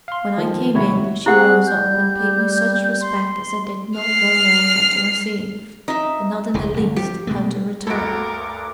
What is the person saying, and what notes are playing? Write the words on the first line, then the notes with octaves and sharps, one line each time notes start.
When I came in, she rose up, and paid me such respect as I did not well know how to receive, and not in the least how to return.
F5 C6
D#3 F3
D#2 C3 F#3 E4 F#4 C#5
C4 E4 G4 G#4 F#5 F#6
G3 G6
C6
F6 C7
D#4 E5
E1 C#2 E3
G1 C2
F3 G4
B2 G#3 A3
D2 G2 E4 F#4 A4 A#4 D6 D7